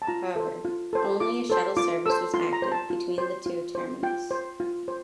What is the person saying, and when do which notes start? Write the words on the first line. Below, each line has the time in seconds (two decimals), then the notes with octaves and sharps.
However, only a shuttle service was active between the two terminus.
0.02 A5
0.07 F4 A#5
0.36 A4 C5
0.65 F4
0.93 A4 C5
1.20 F4 D6
1.50 A4 C5
1.77 F4 D6
2.06 A4 C5 E6
2.34 F4 C6
2.53 A#5
2.62 C5
2.72 A5
2.90 F4
3.18 C5
3.46 F4
3.75 C5
4.03 F4 G5
4.31 C5
4.60 F4
4.88 C5